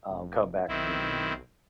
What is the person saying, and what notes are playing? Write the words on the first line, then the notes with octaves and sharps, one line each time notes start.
um, come back to me.
F1
B1 D#3 C4 E4